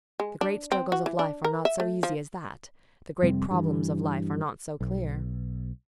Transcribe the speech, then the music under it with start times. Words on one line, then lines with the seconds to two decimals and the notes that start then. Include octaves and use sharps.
The great struggles of life are not so easy as that; the great problems of life are not so clear.
0.20 G#3
0.41 D4
0.72 C4
0.92 F#4
1.06 E3
1.19 D4
1.44 A#4
1.65 E5
1.80 A3
2.03 F3
3.22 F2 C3 G3 C4
3.51 G2 E3
4.81 B1